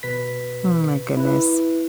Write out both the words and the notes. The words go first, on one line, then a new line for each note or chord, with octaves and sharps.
Mm, my goodness.
B2 B4 B6
E4 B4